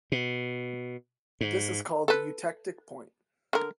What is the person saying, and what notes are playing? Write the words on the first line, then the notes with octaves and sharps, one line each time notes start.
This is called the eutectic point.
B2
G#2
A4 B4
D3 A#4